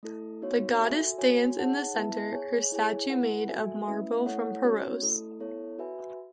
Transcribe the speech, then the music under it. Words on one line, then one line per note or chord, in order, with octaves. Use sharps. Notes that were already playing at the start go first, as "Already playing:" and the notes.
The goddess stands in the center; her statue made of marble from Paros.
A3 E4 A4
B3 D#4 F#4 C#5
F#4 A4 E5 G#5
F#4 C#5 G#5
D#4 G#4 C#5 F#5 A5
B3 E4 B4 E5 A5
G#4 C#5 G#5
E4 G#4 C#5 G#5
E4 B4 F#5
F#4 A4 E5 G#5
A3 C#4 E4 B4 E5
A3 E4 A4 C#5 F#5
C#4 F#4 C#5
A3 E4 A4
B3 E4 A4 C#5
F#4 B4 E5 G#5